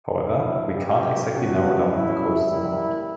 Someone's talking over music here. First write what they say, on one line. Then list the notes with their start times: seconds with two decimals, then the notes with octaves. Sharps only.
However, we can’t exactly narrow down on the costs’ amount.
0.22 D2 D3 F#3 A#3 E4
0.77 B2 F#3 A#3 C#4 G4
1.34 E2 C#3 F#3 C#4 F#4
1.89 F#3 C#4 E4
2.46 G3 A#3 E4